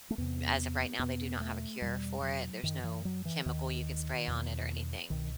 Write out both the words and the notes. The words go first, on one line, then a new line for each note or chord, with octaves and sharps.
as of right now, they do not have a cure for it, there's no chemical you can spray on it or anything.
A3
E2 C3 B3
E2 B2 B3
A3
E2 B2 G3
F#3
F#2 D#3
E3
F#3
E3
D#2 D#3
E2 B2
C2 B2 D#3